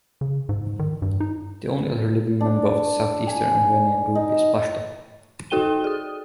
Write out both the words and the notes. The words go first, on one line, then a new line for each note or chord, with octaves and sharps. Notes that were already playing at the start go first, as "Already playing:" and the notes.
The only other living member of the Southeastern Iranian group is Pashto.
C#3
G#2
D#3
G2
D#4
D4
G#5
D#4
D#4 F#4 A4 G5 D#7 G7
G#4 D#6